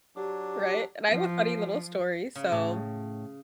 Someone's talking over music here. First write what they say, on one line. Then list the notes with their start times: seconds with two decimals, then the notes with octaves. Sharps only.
Right? And I have a funny little story, so
0.16 F#3 D4 G4 D6
1.10 F3
2.36 C#3
2.52 A2